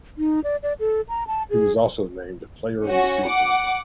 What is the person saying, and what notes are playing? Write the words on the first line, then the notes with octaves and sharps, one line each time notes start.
He was also named player of the season.
D#4
D5
D5
A4
A#5
A5
G#4
C#4 F#4
F#5 D6